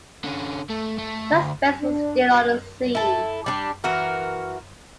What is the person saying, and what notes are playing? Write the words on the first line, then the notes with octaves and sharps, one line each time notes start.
Suspects were still on the scene.
D3 C#4
A3
A3
D2
D4
B2
E4 A4
G3 D4
E3 F#4 A#4